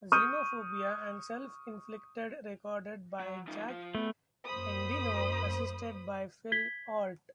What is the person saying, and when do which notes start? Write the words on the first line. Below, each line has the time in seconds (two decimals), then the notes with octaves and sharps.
"Xenophobia" and "Self Inflicted" recorded by Jack Endino assisted by Phil Ault.
0.12 C#6 D#6 F6 G6 D#7
3.20 F#3
3.48 F3 D#4
3.70 F3 F4
3.95 E2 A3 B3
4.46 F#2 A#3 C5 B5 D#6
6.52 G#6 B6 G7